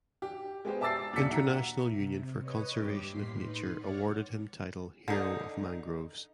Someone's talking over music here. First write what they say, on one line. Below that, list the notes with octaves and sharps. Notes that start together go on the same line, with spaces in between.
International Union for Conservation of Nature awarded him title Hero of mangroves.
G4
G#3 B3 G4 C5
E5 A5 D6 E6 A6 C7
D#2 A#2 F#3 D5 B6 C#7
E5 F#5 A#5
C3
B4 C#5 D#5
G2 G4 D6
A2 A#3 C6 B6 C7
D#4 B4 C6
C#5 F#5 D6 F6 A6 C#7
D3 D#4